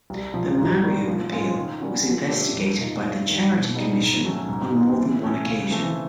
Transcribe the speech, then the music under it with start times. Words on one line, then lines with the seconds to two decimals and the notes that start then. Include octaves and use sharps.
The Mariam Appeal was investigated by the Charity Commission on more than one occasion.
0.10 C2
0.34 C3 F3
0.58 G#2
0.82 D#3 G3 A#3
1.07 F3
1.32 G#3 C#4 F4 G#4
1.56 D#3
1.80 G3 A#3 C#4 F#4
2.05 F3
2.28 A3 D4 G4
2.54 F2
2.78 C3 F3 A#3 D#4
3.02 G2
3.27 D#3 G3
3.51 B2
3.75 G3 B3 D#4 G#4
4.00 G#2
4.24 D#3 F#3 A3 C#4
4.49 G#2
4.72 D#3 G#3
4.97 E3
5.22 A3 C#4
5.46 C#3
5.71 E3 A3 C4